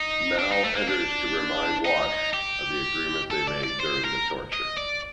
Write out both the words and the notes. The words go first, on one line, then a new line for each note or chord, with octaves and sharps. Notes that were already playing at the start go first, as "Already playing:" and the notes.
Mal enters to remind Wash of the agreement they made during the torture.
Already playing: D#4
D4
D#4
A3
A#3
D4
D#4
G4
A4
D5
D5
C5
A#4
D#5
D5